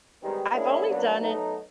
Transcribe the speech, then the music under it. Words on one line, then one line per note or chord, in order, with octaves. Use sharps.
I've only done it
D#3 G3 G#3 B3 C4 D#4
G#3 A#3 C#4 D4 E4
F#3 A#3 B3 C#4 D4 F#4
F#3 A3 B3 D#4